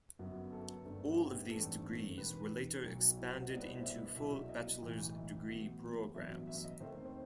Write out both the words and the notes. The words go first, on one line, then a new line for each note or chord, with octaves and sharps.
All of these degrees were later expanded into full bachelor's degree programs.
G1 F#2 F#3 B3
A4
G1 G2 D#3 A3 C4
F#4
G4
A1 G2 D#3 A3 C4 A4
E1 D#2 D#3 B4
B1 B2 F#3
E4
F#4
B4
C5
C2 B2 G3 B3 D#5
B4
C5
D#5
E5
C2 B2 F#3 E5
D#5
B1 A2 E3
E5
A1 A2 F#3 B3
A1 G2 F#3 B3 E5
E5
E5
D#5
D#2 D#3 A3 C4 C5
C5